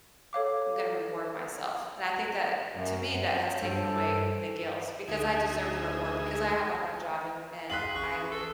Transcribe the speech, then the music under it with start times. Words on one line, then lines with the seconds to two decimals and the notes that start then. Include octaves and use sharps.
"I'm gonna reward myself," and I think that to me that has taken away the guilt, because I deserve the reward, because I have a hard job, and and I
0.33 A4 C#5 F5 D6
2.75 F#2
3.29 C5 C#5
3.62 G2 A4
5.08 D2 D#4 G#4 E5
7.70 G#4 F5 C6 F#6 B6 F#7
7.95 A1 C#6
8.32 A4